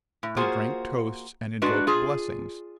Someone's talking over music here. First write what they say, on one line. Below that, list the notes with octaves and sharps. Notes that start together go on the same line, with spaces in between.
They drank toasts and invoked blessings.
A2
A#3 F4 F#4 G#4 C5
G#3 D4 F#4 B4 D5
F4 G#4